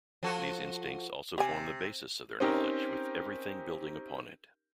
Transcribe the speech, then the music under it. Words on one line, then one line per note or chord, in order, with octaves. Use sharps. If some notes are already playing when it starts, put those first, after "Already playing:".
These instincts also form the basis of their knowledge with everything building upon it.
F3 F#4 A4
C3 G4 G#5
C4 C#4 D#4 G4 A#4